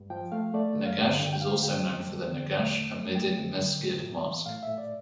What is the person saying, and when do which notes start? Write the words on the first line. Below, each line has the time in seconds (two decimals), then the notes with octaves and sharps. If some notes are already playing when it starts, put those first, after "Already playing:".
Negash is also known for the Negash Amedin Mesgid mosque.
Already playing: G2
0.10 F3 G5
0.32 A3 F5
0.54 A3 D5
0.75 G2
0.86 F5
0.97 G2
1.19 D3 G5
1.33 G5
1.40 D2 F5
1.62 D2 G5
1.85 D2
2.07 F3
2.28 D3
2.49 E2
2.72 A3
2.93 A3
3.15 A3 G5
3.36 D3
3.59 D3
3.80 A2
4.02 A2
4.24 E3
4.45 A2 F5
4.63 A2 E5
4.78 D5